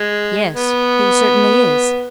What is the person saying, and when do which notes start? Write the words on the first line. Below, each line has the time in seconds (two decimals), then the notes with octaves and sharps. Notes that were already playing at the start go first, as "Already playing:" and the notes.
"Yes, he certainly is."
Already playing: G#3
0.55 B3